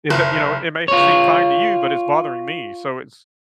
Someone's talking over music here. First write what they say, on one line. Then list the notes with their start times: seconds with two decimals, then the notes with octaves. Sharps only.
It the, you know, it may seem fine to you, but it's bothering me so it's
0.10 F#1
0.88 F4 C#5